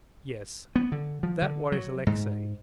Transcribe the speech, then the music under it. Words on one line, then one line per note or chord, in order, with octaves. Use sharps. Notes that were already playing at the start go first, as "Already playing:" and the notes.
Yes? That worries Alexey.
B3
D3
F3
D3
F#3
G#2